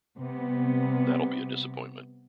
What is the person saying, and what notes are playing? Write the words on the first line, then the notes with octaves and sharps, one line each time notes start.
That'll be a disappointment.
C3 G3 B3